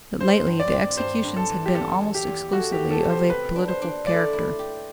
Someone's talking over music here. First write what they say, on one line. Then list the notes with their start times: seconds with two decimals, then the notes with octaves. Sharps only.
But lately the executions had been almost exclusively of a political character.
0.20 F#3 C5
0.47 G2
0.60 D5
0.72 C4
0.97 G2 C5
1.24 G2
1.36 A4
1.50 E3
1.66 G4
1.75 E2 A4
2.01 E2
2.15 G4
2.27 E2
2.52 A3 F#4
2.72 G4
2.78 A3
2.91 A4
3.04 C3
3.10 C5
3.30 G4 B4
3.56 D4
3.68 C5
3.82 D4
4.07 A3 D5
4.33 E4
4.59 G4